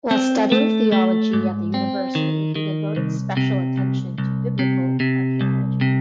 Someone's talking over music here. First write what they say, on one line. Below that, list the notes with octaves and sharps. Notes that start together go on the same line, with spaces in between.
While studying theology at the university he devoted special attention to Biblical archaeology.
C4
A3
A3
G#2
C4
D#3
D#3
C2
C3
C2
C2
C3
C3
C2
C3